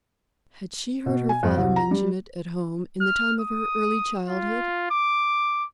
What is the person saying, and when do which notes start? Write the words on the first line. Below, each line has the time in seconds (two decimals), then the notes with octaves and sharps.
Had she heard her father mention it at home in the time of her early childhood?
1.06 B2
1.29 G#5
1.43 F2
1.57 C2
1.76 A#5
1.91 G3
3.01 F6
3.41 D#6
4.27 F4
4.91 D6